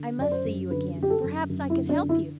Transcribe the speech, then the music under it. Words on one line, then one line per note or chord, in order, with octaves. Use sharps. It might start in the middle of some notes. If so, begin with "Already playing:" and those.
I must see you again; and perhaps I could help you.
Already playing: D3
F#2 D5
C5
F#2
D3 B4
D3
G4
A4
F#2
F#2
E4
D3
D4
D3
E4